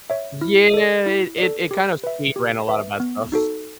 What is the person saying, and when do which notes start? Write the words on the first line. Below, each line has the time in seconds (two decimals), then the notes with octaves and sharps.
Yeah, it it it kind of speed ran a lot of bad stuff.
0.10 C#5 E5
0.41 E4
0.74 A4 D5
1.06 E4
1.38 A4 D5
1.71 G4
2.04 B4 E5
2.36 G4
2.68 B4 E5
3.00 B3
3.32 D#4 F#4 A4